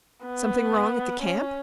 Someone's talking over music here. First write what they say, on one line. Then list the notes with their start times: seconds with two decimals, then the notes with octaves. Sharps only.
"Something wrong at the camp?"
0.26 B3
1.22 C#4